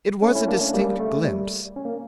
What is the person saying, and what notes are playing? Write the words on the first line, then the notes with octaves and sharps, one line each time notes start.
It was a distinct glimpse.
A3 C#4
C#4 E4
A#3 D4
A3 C#4
G3 A#3
A3
G3
C#4
A#3